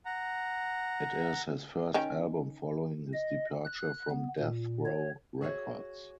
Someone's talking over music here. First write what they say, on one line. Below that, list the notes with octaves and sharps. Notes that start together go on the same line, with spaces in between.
It is his first album following his departure from Death Row Records.
F#5 A#5
D#3 C#4 G5
D#5
F#6
B3
A#2
C#5
F#4 G#4 B4 C#5 E5